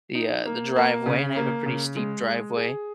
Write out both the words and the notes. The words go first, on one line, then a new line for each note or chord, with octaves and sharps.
the, uh, the driveway, and I have a pretty steep driveway,
D#4
A#3
A#3
C#3
A#3
C#3
G#3
G#4
G#4